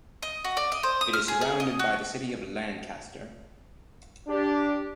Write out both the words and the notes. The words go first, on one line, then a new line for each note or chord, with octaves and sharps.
It is surrounded by the city of Lancaster.
D#5
F#4
D5
D#5
C5
D#6
F6
G#4
G#4
D#5
F#4
D4 G4